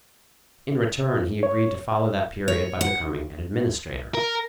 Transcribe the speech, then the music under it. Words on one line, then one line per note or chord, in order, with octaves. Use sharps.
In return, he agreed to follow that period by becoming an administrator.
C#5
C#5
F#5
A#4